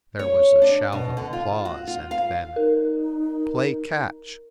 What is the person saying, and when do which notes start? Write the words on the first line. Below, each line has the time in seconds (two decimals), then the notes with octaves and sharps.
There was a shout of applause and then--"Play catch!"
0.19 C#5
0.62 D4
0.93 B2
1.17 D3
1.33 F4
1.65 F#4
1.87 F4
2.11 F5
2.56 D#4 A#4